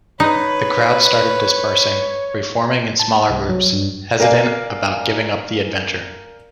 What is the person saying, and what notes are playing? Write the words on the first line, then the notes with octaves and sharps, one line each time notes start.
The crowd started dispersing, re-forming in smaller groups, hesitant about giving up the adventure.
D#4 B4 C#5
A5
C2
F#3
G2
A#4 D5 F5 G#5